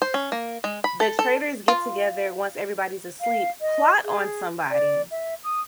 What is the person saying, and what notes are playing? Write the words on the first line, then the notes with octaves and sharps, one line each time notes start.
the traitors get together once everybody's asleep, plot on somebody,
C5
C#4
A#3
G#3
B5
A4
A4
F4
F5
D#5
G#4
D5
E5
D#6